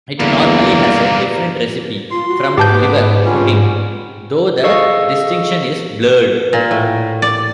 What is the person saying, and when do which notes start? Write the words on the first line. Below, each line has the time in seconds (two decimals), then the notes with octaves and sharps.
It normally has a different recipe from liver pudding, though the distinction is blurred.
0.20 E2 G2 A#2 D3 A#3 B3
2.11 F4 C6
2.28 F#4
2.57 G#2 B3 G4 B4 A5 D6 G6
3.25 D3 G3 C#4 F4
4.63 G#4 A4 D#5 F5 C#6
6.53 A#2
6.71 A2
7.22 D5